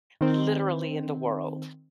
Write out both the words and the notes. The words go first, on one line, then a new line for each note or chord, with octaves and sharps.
literally in the world.
D#3 C4